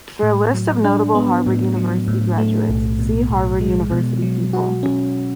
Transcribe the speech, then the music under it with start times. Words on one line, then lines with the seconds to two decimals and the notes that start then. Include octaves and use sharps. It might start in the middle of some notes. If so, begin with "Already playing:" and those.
For a list of notable Harvard University graduates, see Harvard University people.
0.23 A2
0.54 F#3
0.84 D4
1.15 B3
1.46 A2
1.77 F#3
2.08 A2
2.38 A3
2.69 B1
2.99 B2
3.30 B1
3.61 G#3
3.92 B2
4.22 F#3
4.53 F#4
4.83 C#4